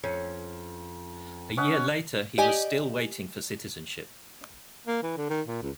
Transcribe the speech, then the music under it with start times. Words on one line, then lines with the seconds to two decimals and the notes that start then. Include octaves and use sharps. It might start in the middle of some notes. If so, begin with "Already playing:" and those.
A year later he was still waiting for citizenship.
0.04 F2 C#4
1.57 C#4 D#5 F#5
2.38 G4 D5 D#5 G#5
4.87 A#3
5.03 E3
5.17 D3
5.30 D#3
5.47 A#2
5.62 C#2